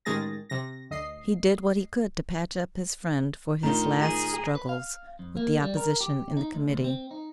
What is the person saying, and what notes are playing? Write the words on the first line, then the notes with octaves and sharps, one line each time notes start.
He did what he could to patch up his friend for his last struggles with the opposition in the Committee.
A1 D#3 G#3 G#4 A6 A#6
C3 A#6
D2 D#5 C7
A2 D#3 A3 D4 D#4 F4 A#5 G7
G#4 A#6 D#7
B4
F5
F2
A#3
G3
A#4
G4
D#4
D2
D2
C4
D#4